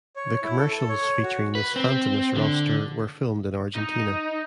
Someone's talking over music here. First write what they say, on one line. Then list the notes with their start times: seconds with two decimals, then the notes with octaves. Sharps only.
The commercials featuring this Fantanas roster were filmed in Argentina.
0.16 C#5
0.43 E4
0.58 A4
0.72 A4
0.89 C#5
1.23 F#4
1.55 B4
1.76 C4
2.36 D3
3.75 D#4